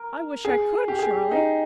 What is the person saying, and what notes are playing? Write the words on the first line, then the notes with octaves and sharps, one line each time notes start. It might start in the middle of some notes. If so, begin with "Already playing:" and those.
'I wish I could, Charley!
Already playing: A#4
G#4
G4
G#4
G4
D#4